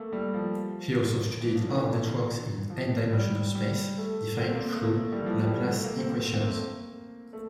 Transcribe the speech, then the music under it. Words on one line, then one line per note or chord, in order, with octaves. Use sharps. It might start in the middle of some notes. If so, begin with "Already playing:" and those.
He also studied R-networks in n-dimensional space, defined through Laplace equations.
Already playing: A3 A#3
G3
F3
E3
F3
D3
E3
D3
E3
F3
G3
G3
A3
C4
A#3
A3
A#3
A3
G3
E3
F3
G3
A3
A#3
C4
C4
C4
A#3
A3
A#3
A3